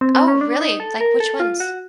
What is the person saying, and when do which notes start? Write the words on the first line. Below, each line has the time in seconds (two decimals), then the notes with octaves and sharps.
Oh, really? Like, which ones?
0.01 C4
0.15 C4
0.28 C#4
0.41 D4
0.61 D#4
0.80 A4
1.01 A#4
1.20 A4
1.40 F4
1.60 F#4